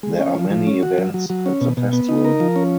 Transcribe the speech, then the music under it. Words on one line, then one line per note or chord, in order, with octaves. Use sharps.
There are many events at the festival.
G#3
C#4
F3
F3
C#4
F#4
F#3
F#3
F#3
C#4
B2
B2
B3
D#4
A#4
F3
C#4